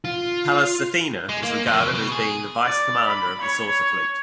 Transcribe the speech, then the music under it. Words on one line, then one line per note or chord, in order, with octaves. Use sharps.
Pallas Athena is regarded as being the Vice-Commander of the saucer fleet.
F4
G#3
A#3
F2
C#3
B2
G#4
D5
B5
C#5